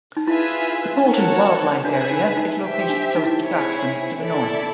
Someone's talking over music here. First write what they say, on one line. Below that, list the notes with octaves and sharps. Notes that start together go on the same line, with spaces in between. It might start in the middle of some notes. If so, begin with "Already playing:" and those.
The Coalton Wildlife Area is located close to Jackson to the north.
D#4
E4 F4 G#4 B4 E5 G#5
D#4 F#4 A#4 C#5 F#5 A5
D4 G#4 B4 E5
D#4
D#4
D#4 G4 C5 E5 G5
D4
D#4
E4
D#4
C4 E4 G#4 C#5
E4 A4 D5